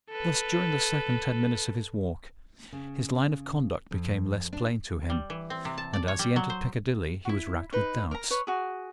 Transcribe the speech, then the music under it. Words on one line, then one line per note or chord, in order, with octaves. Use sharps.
Thus during the second ten minutes of his walk, his line of conduct became less plain to him, and as he entered Piccadilly he was racked with doubts.
A4 B4
C#3
F2
D4
G3
E3
C4
C3
A5
D5
C#5
G3
F#3
C5
E4 F#4
D#4 B4
A#4 A#5
B4 C#5
F#4 G#4